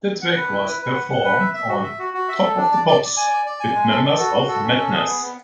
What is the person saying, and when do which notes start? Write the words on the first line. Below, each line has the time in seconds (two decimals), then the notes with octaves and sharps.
The track was performed on "Top of the Pops" with members of Madness.
0.22 F#5
0.37 B4
0.51 E4
0.67 B4
0.82 B4
0.95 F#5
1.10 F#5
1.25 B4
1.39 E5
1.54 E5
1.69 F#4
1.84 E5
1.99 F#4
2.14 F#4
2.29 E5
2.42 A4
2.57 D4
2.72 D5
2.87 D5
3.02 D5
3.17 G#5
3.30 D5
3.46 D5
3.60 G#5
3.75 G#3
3.90 A4
4.05 A4
4.19 F#4
4.34 F#4
4.49 A4
4.64 C#4
4.78 A4
4.93 G#4
5.07 B3
5.22 B3